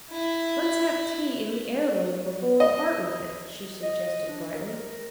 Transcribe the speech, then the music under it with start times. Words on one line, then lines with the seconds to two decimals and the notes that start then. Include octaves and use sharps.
"Let's have tea in the heirloom before we part with it," she suggested brightly.
0.11 E4
2.60 D#5
3.83 D#5
4.28 D4
4.52 A#4